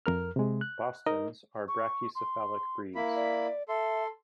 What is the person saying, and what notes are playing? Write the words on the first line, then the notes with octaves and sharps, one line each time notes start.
Bostons are brachycephalic breeds.
F2 A#4 F6
C3 G#3
F#6
D#4 A#4 D#5
C#6
C6
A#3 E4 B5
D5
A4 E5 C6